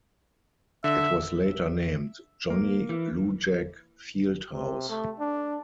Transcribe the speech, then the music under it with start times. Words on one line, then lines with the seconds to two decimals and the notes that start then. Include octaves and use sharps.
It was later named Johnny Lujack Field House.
0.84 D3 E5
2.50 A#3
2.89 E3
4.51 C3
4.89 A3
5.19 D4